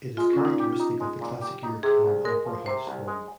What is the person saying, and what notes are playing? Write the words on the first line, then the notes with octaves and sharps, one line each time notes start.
It is characteristic of the classic European opera house form.
G#3 F4
A#2 C#4
D#4
G4
F4
D#4
G#3
A#2
G4
D#4
C3 G#4
C2
G#3 A#4
F3
C3 C5
C2
G#3